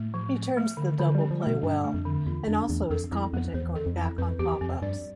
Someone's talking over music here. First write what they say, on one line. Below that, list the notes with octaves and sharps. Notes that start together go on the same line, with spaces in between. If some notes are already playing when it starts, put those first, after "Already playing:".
He turns the double play well, and also is competent going back on pop-ups.
Already playing: A2 A3
F3
C4
A3
D3
D3 F3
G3
C4
F3
A3
B2
G2 D4
A3
F2
D3
E2 F4
F2 D4
E2 A3
F2 A4
F2 E4
F2 B3
E2 C5
A4
F2
E4
F2 B4
E2 G4
F2 C4
G2 D5